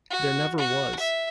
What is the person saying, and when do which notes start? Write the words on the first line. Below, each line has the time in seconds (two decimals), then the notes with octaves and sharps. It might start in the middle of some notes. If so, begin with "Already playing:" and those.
There never was...
0.11 F#4
0.58 F#4
1.00 E5